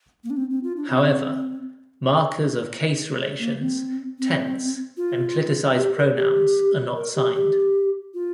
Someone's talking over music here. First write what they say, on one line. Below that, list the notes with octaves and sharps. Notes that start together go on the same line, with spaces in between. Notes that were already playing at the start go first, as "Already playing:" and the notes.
However, markers of case relations, tense, and cliticised pronouns are not signed.
A#3
D4
C4
C4
F4
D4
C4
C4
A#3
C4
C4
F4
G4
A#4
G4
A#4
G4
G4
F4